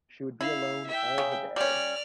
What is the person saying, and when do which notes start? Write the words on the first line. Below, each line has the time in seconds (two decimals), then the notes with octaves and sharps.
She would be alone all the day.
0.41 E4 F5
0.87 E5 G5
1.18 C#3
1.56 G3 C#4 D5 F6